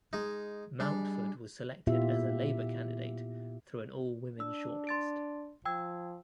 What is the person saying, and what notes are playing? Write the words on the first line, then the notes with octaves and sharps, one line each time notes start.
Mountford was selected as a Labour candidate through an all-women shortlist.
G#3 D#4
G3 D4 G#4
A#2 B3 E4 F4 G4 E5
D4 E6
C6 A6 D7
F3 G5 E6 G#6